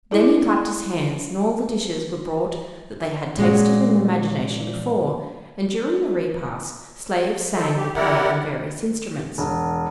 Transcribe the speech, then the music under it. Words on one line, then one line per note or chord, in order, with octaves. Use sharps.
Then he clapped his hands, and all the dishes were brought that they had tasted in imagination before and during the repast, slaves sang and played on various instruments.
E4 G#4 D5
A#2 G#3 C#4 F#4
D#4 A4
G4
E4 G4 A#4 D5 F#5
E1